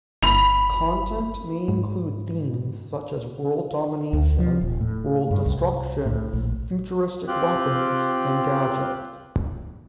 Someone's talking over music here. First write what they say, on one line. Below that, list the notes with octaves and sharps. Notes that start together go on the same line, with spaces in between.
Content may include themes such as world domination, world destruction, futuristic weapons, and gadgets.
G1 B5 F7
G#2
D2
F3
D#1
A2
G2
C2
A2
A#1
C4 F4 G4 F#6